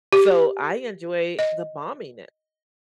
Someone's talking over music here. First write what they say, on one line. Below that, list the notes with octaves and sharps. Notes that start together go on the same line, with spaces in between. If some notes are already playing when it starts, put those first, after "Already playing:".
So I enjoy the balminess
G4
D#5